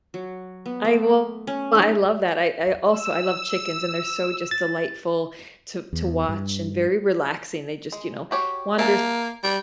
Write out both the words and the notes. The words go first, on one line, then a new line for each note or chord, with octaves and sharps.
I will I love that, I I also I love chickens and they're so just delightful to to watch and very relaxing, they just, you know, wander
F#3
B3
A3
C#4
D#4
E6
A6
E2
G2
G#3
F#4 G4 C#5
A#3 E5 A5
G3